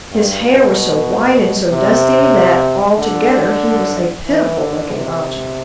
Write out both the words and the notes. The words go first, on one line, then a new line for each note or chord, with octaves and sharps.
His hair was so white and so dusty that altogether he was a pitiful-looking object.
G2
B2
C3
D3
E3
D3
C3